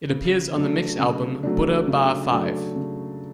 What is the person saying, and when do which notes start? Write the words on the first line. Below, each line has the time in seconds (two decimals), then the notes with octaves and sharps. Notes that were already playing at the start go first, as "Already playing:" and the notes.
It appears on the mix album "Buddha Bar V".
0.10 C#3
0.54 F#3 A3 D4
0.99 C#3
1.43 F#3 A3 D4
1.87 C#3
2.32 F#3 A3 D4
2.76 C#3